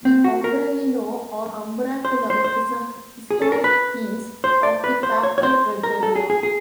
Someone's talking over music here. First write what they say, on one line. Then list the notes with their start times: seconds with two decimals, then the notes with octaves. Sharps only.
The "ombrellino" or umbraculum is a historic piece of the papal regalia.
0.05 C4
0.24 F#4
0.44 A#4
2.05 C5
2.30 C5
2.44 C5
3.31 G#4
3.42 A4
3.52 A#4
3.64 B4
4.44 C5
4.63 D5
4.84 B4
5.03 C5
5.23 C#5
5.38 C#5
5.43 C5
5.83 A#4
6.03 A4
6.15 G#4
6.30 G#4
6.43 G#4